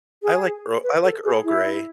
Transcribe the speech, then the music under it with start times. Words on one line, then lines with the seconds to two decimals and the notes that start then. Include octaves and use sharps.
I like Earl I like Earl Grey.
0.23 G#4
0.83 B4
1.04 A4
1.24 G#4
1.44 E4